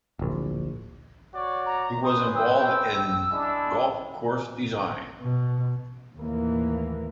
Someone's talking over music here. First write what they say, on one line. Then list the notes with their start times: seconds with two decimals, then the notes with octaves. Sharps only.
He was involved in golf course design.
0.19 D1 A#1
1.34 F#4 C#5 D5
1.66 A#5
2.04 C#4 B4 C5 D#6
2.35 G5 E6
3.32 G#3 D4 E4
5.21 B2
6.16 D#2 A2 E3 A#3